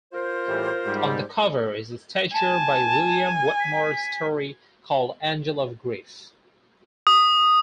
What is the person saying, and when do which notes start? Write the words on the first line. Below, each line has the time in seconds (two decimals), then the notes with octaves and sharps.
On the cover is a statue by William Wetmore Story called "Angel of Grief".
0.12 F4 A#4 C5
0.47 A2 E3 G3
0.85 G#2 G3
2.34 G#5 A5
3.60 B6
7.07 D#6